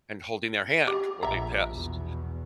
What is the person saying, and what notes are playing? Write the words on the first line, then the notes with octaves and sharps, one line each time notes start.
and holding their hand when they passed.
G4
A#1 E5 A#5
E2 B2